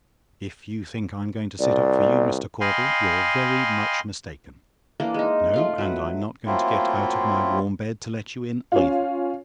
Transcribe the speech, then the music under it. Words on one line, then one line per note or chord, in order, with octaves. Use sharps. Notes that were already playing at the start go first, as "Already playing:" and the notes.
If you think I'm going to sit up for you, Mr. Caudle, you're very much mistaken. No: and I'm not going to get out of my warm bed to let you in, either.
C2 D5
D#5 F5 G5 G#5 B5 C6
E3 A#3 D4 A4
G#3 D#4
A3 F4 F5
F#3 B4
F#3 A3 A#3 C4 E4 F4
C#4 F4